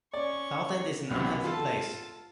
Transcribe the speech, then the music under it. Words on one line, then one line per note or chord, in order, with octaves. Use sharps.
South End is an unhealthy place.
C#4 D5 C#6
C2 F#2 B3
F4 A4 A5